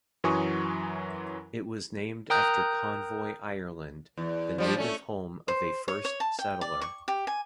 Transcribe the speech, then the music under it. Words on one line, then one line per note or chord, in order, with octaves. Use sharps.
It was named after Convoy, Ireland, the native home of a first settler.
F#2 E3 F#3 G#5 C#6 D#6
A#4 G5 A#5 D#6 F#6 G6
E2
F3 G3 D4
A3 C#4
C5
C#5
C#5
A5
G5
D5
C#6
G4
G#5